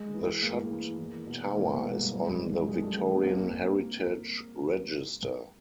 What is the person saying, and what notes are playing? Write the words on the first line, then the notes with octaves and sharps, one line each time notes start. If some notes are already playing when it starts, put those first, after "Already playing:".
The shot tower is on the Victorian Heritage Register.
Already playing: G#3
E3
A2 G#3 A#3
E3
E2
B2
E2 G#3 A#3
A3 B3
B2 G#3 A#3
G3 A3
F#2 G#3
G3
D#3 G#3
G#3
F#2 G#3
G3 A3
D#3 G#3 A#3
A3 B3
A#3 C4